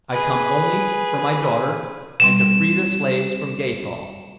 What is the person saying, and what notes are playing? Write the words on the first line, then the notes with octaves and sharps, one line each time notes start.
I come only for my daughter and to free the slaves from Gathol.
G#4 B4
B2 G3 C4 E7